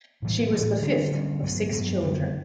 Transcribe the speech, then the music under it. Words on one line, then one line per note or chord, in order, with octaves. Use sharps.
She was the fifth of six children.
A2 E3 G3
A2 E3 G3
D3 G3 C#4
D3 G3 C#4
G2 F#3 B3
G2 F#3 B3
F#2 D3 G3